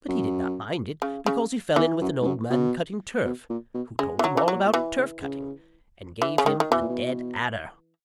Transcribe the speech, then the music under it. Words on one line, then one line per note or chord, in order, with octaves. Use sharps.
But he did not mind it, because he fell in with an old man cutting turf, who told him all about turf-cutting, and gave him a dead adder.
F#2
C#3
C#3
E2 E3
F#2
G#2
F#2
B2
B2
A#2
B2
C#3 G#3
B2 E3
F#3
C#3 E3
F#3
A#2
A#2
B2 E3
C#3
C#3
E3
C#3
G#2 D#3
D#3
B2 E3
A#2
B2